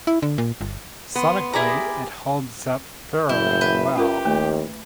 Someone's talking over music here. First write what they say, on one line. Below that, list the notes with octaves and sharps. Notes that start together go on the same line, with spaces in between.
Sonically, it holds up fairly well.
E4
D3
A#2
G1
B3 C6
E4 G4 G#4 A#4 D5 A#5
F#1 E4 G6
B4
C#4 F4 G4 A#4
D#2 A3